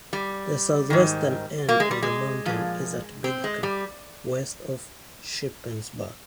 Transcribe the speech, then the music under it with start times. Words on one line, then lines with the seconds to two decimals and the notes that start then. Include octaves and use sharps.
The southwestern end of the mountain is at Big Gap, west of Shippensburg.
0.13 G3
0.90 G#2 D#3
1.69 A#3
1.80 G#3
1.91 G3
2.02 G#3
2.46 A#2 F3
3.24 C4
3.44 G#3
3.63 G3